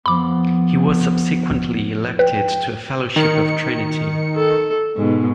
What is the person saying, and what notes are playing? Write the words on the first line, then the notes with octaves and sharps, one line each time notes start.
He was subsequently elected to a Fellowship of Trinity.
F2 F3 B3 B5 D6
B4 G5
D#3 C#7
A4
G#2 B2